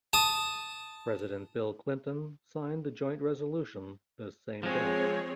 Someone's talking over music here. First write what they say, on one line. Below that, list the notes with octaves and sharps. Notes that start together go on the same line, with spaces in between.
President Bill Clinton signed the joint resolution the same day.
A5 D#6
F3 G#3 C4 G#4 C#5